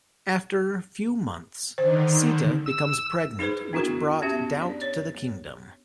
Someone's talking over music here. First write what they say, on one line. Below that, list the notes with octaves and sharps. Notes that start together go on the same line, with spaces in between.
After few months, Sita becomes pregnant which brought doubt to the Kingdom.
D3 D#3 C5
E6
D#4 G#4 B4 C5
B3 D4 E4 F#4 A#4
B3 C#4 G4 E5
D4 D5
C#5